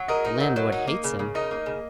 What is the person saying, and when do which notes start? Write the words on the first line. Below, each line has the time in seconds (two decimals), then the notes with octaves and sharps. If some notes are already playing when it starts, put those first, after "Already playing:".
The landlord hates him.
Already playing: F#3
0.08 G#4 A#4 D#5
0.25 D#4
0.40 F#3
0.56 F#3
0.72 D#4
0.87 A#3
1.04 C#3
1.19 C#3
1.34 D#4 A#4 D#5
1.51 A#3
1.66 C#3